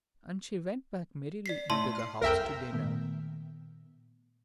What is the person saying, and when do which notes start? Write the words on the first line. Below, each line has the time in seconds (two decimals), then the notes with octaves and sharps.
And she went back merrily into the house to dinner.
1.46 D5 B6 C7
1.70 A2 A3 D#4 D5 A5 C6
1.95 F6 C7
2.21 C2 F2 A#4 E5 G5
2.73 A#2 D#3 A3 B3